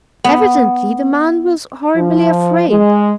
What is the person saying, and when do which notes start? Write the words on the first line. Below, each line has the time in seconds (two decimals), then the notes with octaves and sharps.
Evidently the man was horribly afraid.
0.24 B3
1.96 F3
2.69 G#3